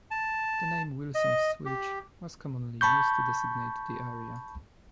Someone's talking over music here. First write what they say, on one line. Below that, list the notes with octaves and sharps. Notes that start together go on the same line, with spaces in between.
The name "Wilson's Switch" was commonly used to designate the area.
A5
D#5
G4
A5 B5 C#6 G6